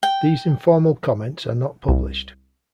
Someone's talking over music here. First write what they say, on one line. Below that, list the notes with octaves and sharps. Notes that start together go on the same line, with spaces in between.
These informal comments are not published.
G5
C2